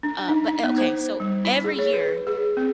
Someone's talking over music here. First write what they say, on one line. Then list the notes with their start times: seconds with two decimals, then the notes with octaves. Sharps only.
uh, but o okay, so, every year,
0.03 D4
0.28 D#4
0.48 D#4
0.64 B3
0.78 C5
1.20 G3
1.45 E4
1.64 G#4
1.79 C#5
1.93 B4
2.27 G#4
2.57 C4